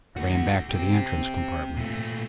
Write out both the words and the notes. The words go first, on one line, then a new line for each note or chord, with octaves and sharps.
I ran back to the entrance compartment.
A3 F#4
C4 G4
A#2 A3